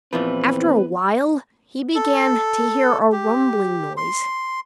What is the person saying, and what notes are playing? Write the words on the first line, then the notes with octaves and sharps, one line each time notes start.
After a while he began to hear a rumbling noise.
E2 A#2 E3 F3 C4 B4
A4
G4
C6